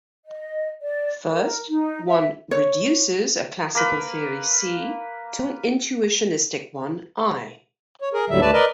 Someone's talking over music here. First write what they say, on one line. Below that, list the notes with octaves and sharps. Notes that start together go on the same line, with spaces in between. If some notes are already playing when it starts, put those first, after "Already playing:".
First, one "reduces" a classical theory C to an intuitionistic one I.
D#5
D5
A#4
D#4
E5
C#5
A#3 A#4 B4
C#5
G#4 A#4
D#2 A2 D3 F#3 G3 E5
D2 A3 B4 D5 A5
A#4 B4 D5 D#5